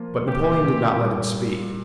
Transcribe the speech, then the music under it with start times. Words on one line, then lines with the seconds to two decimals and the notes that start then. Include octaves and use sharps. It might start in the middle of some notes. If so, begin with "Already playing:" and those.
But Napoleon did not let him speak.
Already playing: F3 A#3 F4
0.27 A#2 G4
0.65 A#2
1.01 G3